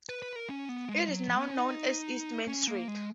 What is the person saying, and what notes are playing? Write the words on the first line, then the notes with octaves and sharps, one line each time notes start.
It is now known as East Main Street.
B4
B4
A#4
C#4
B3
G#3
F#3
F3
B3
C#4
D#4
C#4
A#3
G#3